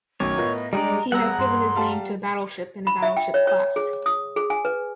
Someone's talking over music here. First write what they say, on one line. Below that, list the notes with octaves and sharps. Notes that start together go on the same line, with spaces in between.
He has given his name to a battleship and a battleship class.
A#1 F#2 D#3 F#3 A3 C#5 D6
A2 B3 F4 A#4 D#5
G3 G#3 D4 G4 G#4 D5 D#5 A#5
E1 G3 B3 F#5 A#5 E6
G2 C6
G3 F5 A5
B5
E5
G5
C#5
C#5
G#4
D#6
G#4
G#5
B4